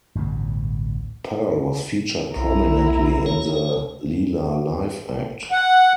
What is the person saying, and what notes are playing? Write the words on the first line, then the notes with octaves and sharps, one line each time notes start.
Pearl was featured prominently in the Leila live act.
A1 D2 G2 B2
B1 E4 A#5
A#4 C#5
F#5